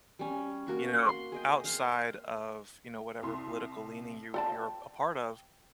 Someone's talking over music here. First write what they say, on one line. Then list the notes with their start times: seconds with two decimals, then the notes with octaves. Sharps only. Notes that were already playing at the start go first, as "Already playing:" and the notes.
you know, outside of, you know, whatever political leaning you you're a part of,
0.19 G3 C#4
0.67 A#3 F#4 C#6
1.06 F#5 C6
1.32 G#4 D#5 G5
1.64 C5 F5 G5
3.23 C2 C6
4.34 A4 D5 G5 A5